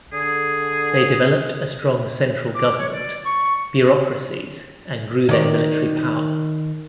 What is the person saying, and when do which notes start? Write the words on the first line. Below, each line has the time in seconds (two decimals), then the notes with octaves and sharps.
They developed a strong central government, bureaucracies, and grew their military power.
0.14 D3 G#4
2.54 D6
2.77 C#5
2.91 D5
3.25 C#6
5.29 D#3 D5